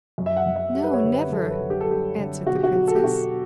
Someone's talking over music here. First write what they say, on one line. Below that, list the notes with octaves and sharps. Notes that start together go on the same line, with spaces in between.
"No, never," answered the princess.
F#2
E5
F#5
F#2
E5
G3
B4
C#5
D3
B4
F#2 A4
B4
F#2
G4
A4
G3 G4
D3
B2 F#4
G4
F#4
F#3
A4
G4
B2 F#4